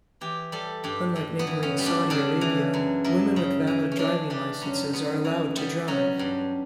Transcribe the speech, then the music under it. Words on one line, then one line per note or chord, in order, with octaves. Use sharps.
Unlike neighboring Saudi Arabia, women with valid driving licences are allowed to drive.
E3 G4
G3 A4
G2 G4
G2
B3
E3
C#4
G3
D4
C#3 D4
E3
F#2
F#2 E4
C#3
E3
C#4
E3 D4
G3 D4
F#2 C#4
F#2 B3
E3
G3 B3
F#3 C#4
G2